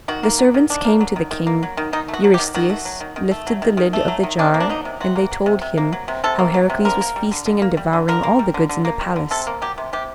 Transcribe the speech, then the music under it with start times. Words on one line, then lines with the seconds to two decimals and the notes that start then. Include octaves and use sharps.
The servants came to the king; Eurystheus lifted the lid of the jar and they told him how Heracles was feasting and devouring all the goods in the palace.
0.08 D#3 F#4
0.23 A#3
0.39 F#3
0.54 D#3
0.70 D#3 D4
0.85 A#3
1.01 F#3
1.16 D#3
1.31 D#3
1.47 A#3
1.63 F#3
1.77 D#3
1.93 D#3 D#4
2.08 A3
2.13 F#4
2.24 F#3
2.34 G4
2.39 D#3
2.54 D#3 F#4
2.70 A3
2.85 F#3
3.00 D#3
3.16 D#3
3.31 A3
3.47 F#3
3.62 D#3
3.77 D#3
3.93 A3
4.08 F#3
4.23 D#3
4.39 C3 D4
4.54 A#3
4.60 D4
4.69 F#3 D#4
4.85 C3
5.00 C3 F#4
5.16 A#3
5.31 F#3
5.46 C3
5.62 C3
5.78 A#3
5.93 F#3
6.08 C3
6.24 C3 A4
6.39 A#3
6.54 F#3
6.70 C3
6.85 D3 A#4
7.01 A#3
7.16 G3
7.31 D3
7.46 D3
7.62 A#3
7.77 G3
7.93 D3
8.08 D3 A#4
8.23 A#3
8.39 G3
8.54 D3
8.69 D3
8.85 A#3
9.01 G3
9.16 D3
9.31 C3 A4
9.47 A#3
9.62 F#3 G4
9.78 C3
9.93 C3 G4